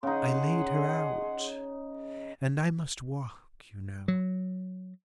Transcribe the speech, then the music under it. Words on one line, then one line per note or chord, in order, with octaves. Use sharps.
I laid her out; and I must walk, you know.
C#3 D#4 G#4 F#5 C6
F#3